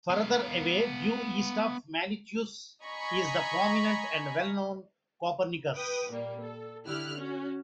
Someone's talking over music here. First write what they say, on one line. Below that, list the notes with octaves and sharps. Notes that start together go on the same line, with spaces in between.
Further away due east of Milichius is the prominent and well-known Copernicus.
B3 F5
D#5 G#5 A#5 B5 C#6
B4 G5 D#6
A#2 G3 A#3
A4
D3 E4 G4 F6 F#6
C#4 F#4